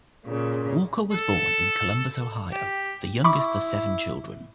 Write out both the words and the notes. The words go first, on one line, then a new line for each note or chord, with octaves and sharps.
Walker was born in Columbus, Ohio, the youngest of seven children.
A#2 C#3
A4
G4
E4 B5 C#6 D6